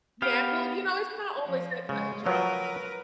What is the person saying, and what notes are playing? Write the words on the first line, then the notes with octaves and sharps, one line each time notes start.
Yeah, well, you know, it's not always that cut-and-dry.
B3 G4 F5
F3
C#3 G#3
F3 F#3 A#4 B4